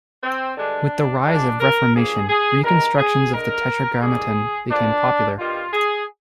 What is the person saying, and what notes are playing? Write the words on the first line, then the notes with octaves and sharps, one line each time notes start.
With the rise of the Reformation, reconstructions of the Tetragrammaton became popular.
C4
G2 D3 G#3 D4
G2 D3 F3 G#3 D4
A#4
G2 F3 A#3 G#4
G#4
G2 D#3 G#3 A#4
G#4
D3 G#3 A#4
G#2 G3 A#3 G#4
D3 F3 A#3 D4
G2 D#3 G3 F4
G#4